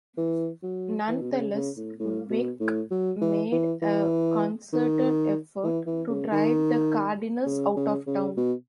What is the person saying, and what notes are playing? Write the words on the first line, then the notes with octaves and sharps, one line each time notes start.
Nonetheless, Veeck made a concerted effort to drive the Cardinals out of town.
E3
F#3
E3
B2
C#3
C#3
A2
A2
B2
A2
F#3
E3
E3
E3
D#3
E3
E3
C#3
D#3
C#3
C#3
C#3
B2